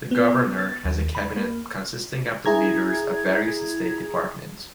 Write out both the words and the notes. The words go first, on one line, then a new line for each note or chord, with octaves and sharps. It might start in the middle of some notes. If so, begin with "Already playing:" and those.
The governor has a cabinet consisting of the leaders of various state departments.
B3
A6
D#2
B5
A#3
E4 G#4 A#5 G#6